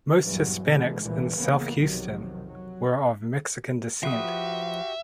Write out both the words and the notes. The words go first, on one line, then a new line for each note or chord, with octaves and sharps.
Most Hispanics in South Houston were of Mexican descent.
A#1 E2 G2 E3 F#3
B2 D3 E3 G#3
C2 A#2 D3 E3
C#2 C#3 E3 A#3 B3
B1 F2 C3 D#3 F#3
F#3
F3 F#4 G4 B4 E5 D#6